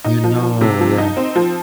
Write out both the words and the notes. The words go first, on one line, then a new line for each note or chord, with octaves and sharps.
I know, yeah.
D#4
F3
F3
C3
F3
D#4
C4
F3